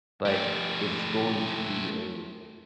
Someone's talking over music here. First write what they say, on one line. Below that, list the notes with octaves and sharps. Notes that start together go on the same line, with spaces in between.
But, it's going to be a
A3 G4